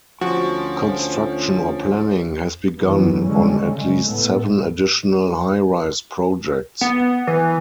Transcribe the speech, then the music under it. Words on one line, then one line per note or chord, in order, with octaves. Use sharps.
Construction or planning has begun on at least seven additional high-rise projects.
D2 F3 C#4 F#4
F#2 E3 F#3 B3
D3 G3 G#3 C#4
C#3 G#3
A2 A3 B3
B3
E3